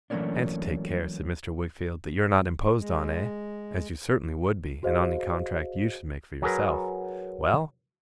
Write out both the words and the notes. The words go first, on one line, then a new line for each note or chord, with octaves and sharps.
'And to take care,' said Mr. Wickfield, 'that you're not imposed on, eh? As you certainly would be, in any contract you should make for yourself. Well!
E3 F#3 A3 A#3 C#4 D4
G#3
F#4 G#4 C5 D#5 F5
F#3 G#4 A#4 B4